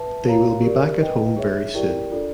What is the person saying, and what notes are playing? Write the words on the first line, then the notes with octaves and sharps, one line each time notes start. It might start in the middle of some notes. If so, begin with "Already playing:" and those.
They will be back at home very soon.
Already playing: B4 E5 A5
F#4 A#4 C#5 F5 A#5
G4 A#4 D5
B4 D#5 G5
G#4 C#5 E5
E4 G4 A#4 D5 G5
D4 F4 A4 D5